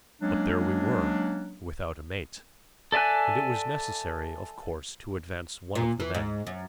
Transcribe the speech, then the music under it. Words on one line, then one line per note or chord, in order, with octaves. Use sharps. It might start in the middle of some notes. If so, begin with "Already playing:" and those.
But there we were, without a mate; and it was necessary, of course, to advance one of the men.
F#3 G#3 A#3 C#4 D4
A4 D5 E5 G#5 F#6
A#2
E3
G#2
F#2